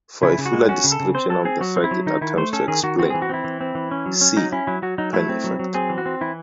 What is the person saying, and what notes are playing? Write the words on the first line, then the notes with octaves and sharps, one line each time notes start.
For a fuller description of the fact it attempts to explain see: Penn effect.
C#3 E4
C#3
F#4
G#3
C#4 F#4
C#3
A4
C#3
C4 C5
F#3 A4
C4 G#4
F#3 F#4
C4
E4
F#3
D#3 D#4
D#3 E4
A3 C5
C#4 A4
D#3 G#4
D#3 F#4
C4 F#4
G#4
E3
F#4
C4 E4
E3
C4
E3
C#4
F#3
C#4
F#3 D#4
C#4 E4
F#3 E4
F#3 F#4
F#3 D#4
A3 E4
C4
F#3
F#3
C4 G#4
E3
F#4
C4
E3 E4